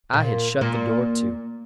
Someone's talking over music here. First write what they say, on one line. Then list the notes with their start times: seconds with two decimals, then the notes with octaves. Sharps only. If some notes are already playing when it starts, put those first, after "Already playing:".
I had shut the door to.
0.13 A#2 A#3
0.61 A#2 A#3